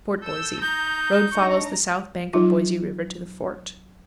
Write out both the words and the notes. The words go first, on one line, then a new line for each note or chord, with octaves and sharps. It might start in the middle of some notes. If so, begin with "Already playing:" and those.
Fort Boise.--Road follows the south bank of Boise River to the fort.
A4 E6 G6
D#4 A#5 G6
D4 D#4 A#5 C#6
F#3 D#4 F4